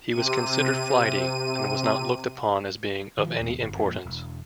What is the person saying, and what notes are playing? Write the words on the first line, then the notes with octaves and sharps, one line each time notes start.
He was considered flighty, and was not looked upon as being of any importance.
C3 D#7
D#3 F3
D#2 B2
G1
F2 A#2
E1